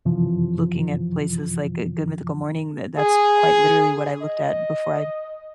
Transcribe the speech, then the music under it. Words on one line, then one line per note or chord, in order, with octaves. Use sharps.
looking at places like, uh, Good Mythical Morning. Th that's quite literally what I looked at before I
F#2 C3 E3 F3
G#4
D#5